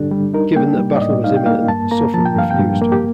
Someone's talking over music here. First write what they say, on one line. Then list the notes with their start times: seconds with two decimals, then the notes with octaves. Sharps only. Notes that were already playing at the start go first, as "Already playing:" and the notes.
Given that battle was imminent, Suffren refused.
Already playing: G2 D3 G3 D4 G4 A4
0.11 G3
0.34 D#4 A#4
0.56 A#3 G5
0.79 G3
0.95 D5
1.01 A2 D#5
1.24 D#4 F5
1.37 G5
1.46 A#3 F5
1.68 G2 A5
1.91 A#3 A#5
2.14 F3 A5
2.25 G5
2.36 G2 F5
2.51 G5
2.59 G2
2.82 A#3
2.92 G4